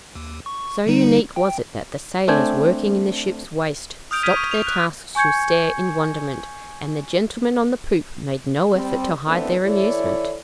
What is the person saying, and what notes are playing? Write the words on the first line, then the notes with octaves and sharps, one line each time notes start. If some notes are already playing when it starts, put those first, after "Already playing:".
So unique was it that the sailors working in the ship's waist stopped their tasks to stare in wonderment, and the gentlemen on the poop made no effort to hide their amusement.
D#2
C#6
D3 G3 D#4
G5
A3 C4 D4 G5 G#5
D#6 F6 G6 D7 F7
D#6 F6 G6 G#6 B6 D#7
C#6 G#6
F7
F#6
G#5 C#6 G6 G#6 C#7
G3 C4
E3 A3 B3 C4 D4
E3 E4 A4 C#5 D5